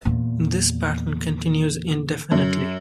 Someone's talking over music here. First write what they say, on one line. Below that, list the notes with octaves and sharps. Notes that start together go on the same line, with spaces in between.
This pattern continues indefinitely.
E2 A#2
F#2